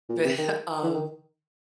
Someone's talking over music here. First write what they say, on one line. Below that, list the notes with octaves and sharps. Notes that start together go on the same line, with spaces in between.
But, um
A#2
C3
D#3
E3
D#3